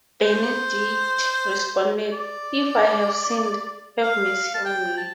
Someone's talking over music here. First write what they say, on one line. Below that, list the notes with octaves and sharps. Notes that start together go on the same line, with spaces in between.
Benedict responded, If I have sinned, have mercy on me.
C5
D5
F5
A5
G5
A5